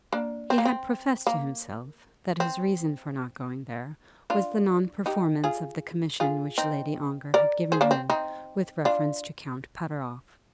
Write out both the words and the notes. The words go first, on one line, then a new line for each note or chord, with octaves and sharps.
He had professed to himself that his reason for not going there was the non-performance of the commission which Lady Ongar had given him with reference to Count Pateroff.
A#3 D4
C4
A#3
C4
A#3
C4
D4 F4
D#4 G4
F4 G#4
F4 G#4
C4 D#4
A#4 D5
G#4 C5
A#3 D4
C4
C4 D#4
D4 F4